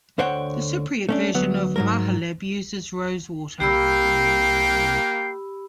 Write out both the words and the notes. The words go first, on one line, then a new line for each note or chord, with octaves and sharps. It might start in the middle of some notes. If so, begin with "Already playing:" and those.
The Cypriot version of mahaleb uses rosewater.
D2 D3 C5 C#5 F#5 G5
A3 C#4 D4
D2 F#3 B3
G#2 F#3 A#4
C2 A#3 G4 G5 B5 E6 C7